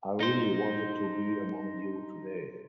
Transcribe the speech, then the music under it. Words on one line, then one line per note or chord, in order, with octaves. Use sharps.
I really wanted to be among you today.
D#4 C5